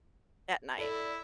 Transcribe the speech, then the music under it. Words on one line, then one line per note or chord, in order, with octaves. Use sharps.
at night.
E4 A4 D5